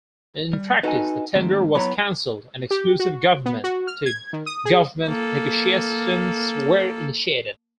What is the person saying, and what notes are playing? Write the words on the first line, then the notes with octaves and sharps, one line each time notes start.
In practice the tender was cancelled and exclusive government to government negotiations were initiated.
G3
D#4 F#4 A4 B4 D#5 G#5
G#2 D#3 A3 C4
F#3 B3 E4 C#5 A#5 B5
G4
F#4
B3
F#4
F6
G#6
D#3
D#6
G#4
A#3 A4